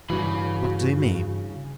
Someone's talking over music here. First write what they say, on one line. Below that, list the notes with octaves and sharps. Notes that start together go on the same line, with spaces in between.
"What do you mean?"
G2 C#3 E3 F#4 B5